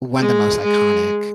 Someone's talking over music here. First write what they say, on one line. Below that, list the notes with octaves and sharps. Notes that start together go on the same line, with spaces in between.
one of the most iconic,
G#3
G#3